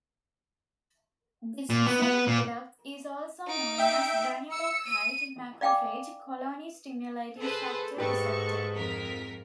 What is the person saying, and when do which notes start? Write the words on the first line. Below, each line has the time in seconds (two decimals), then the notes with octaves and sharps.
This gene product is also known as granulocyte macrophage colony-stimulating factor receptor.
1.70 A#2
1.87 B3
2.02 B3
2.27 A#2
3.47 D#4 D7
3.78 E5 G5
4.52 E6 C#7
4.87 D#7
5.61 D5 F5 G5 G#5 D6
7.38 G#4 A4 B4 C5
7.98 G#2 G4 A4 B4 C#6
8.74 F2 A#4 B6